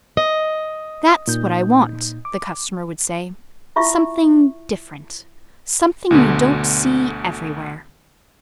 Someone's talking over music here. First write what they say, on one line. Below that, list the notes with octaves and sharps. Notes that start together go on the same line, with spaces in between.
"That's what I want," the customer would say--"something different--something you don't see everywhere."
D#5
A#2 D#4 G6
D6
E4 F4 E5 C#6
D2 B2 D3